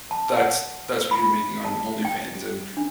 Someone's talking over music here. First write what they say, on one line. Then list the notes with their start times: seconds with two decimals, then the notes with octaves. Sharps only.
that's that's what you're making on OnlyFans, and
0.11 A5
0.37 F#5
1.11 B5
1.65 A5
2.05 G5
2.77 D4